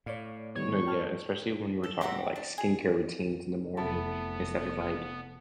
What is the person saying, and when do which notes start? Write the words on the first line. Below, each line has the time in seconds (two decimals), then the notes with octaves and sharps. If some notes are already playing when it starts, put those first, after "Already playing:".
No, yeah, especially when you were talking about, like, skincare routines in the morning and stuff, it's, like,
0.06 A2 C#5 D5 F5
0.55 D#3 G3 B3 C#5
0.87 G5 A5 F6
1.84 A4
2.01 C4 G4 F#5 A#5
2.36 D4
2.58 G#4
3.77 F1 B3 E4 A4 A5